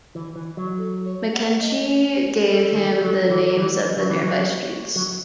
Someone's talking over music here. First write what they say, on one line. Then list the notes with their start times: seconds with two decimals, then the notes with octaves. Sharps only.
McKechnie gave him the names of the nearby streets.
0.15 E3
0.36 E3
0.57 F#3
0.78 A4
1.05 C#5
1.33 F#5
1.61 D#5
2.45 A4
2.72 D#3
3.01 F#3
3.29 E3
3.57 E3
3.97 F#3
4.10 E3
4.23 F#3
4.96 F#3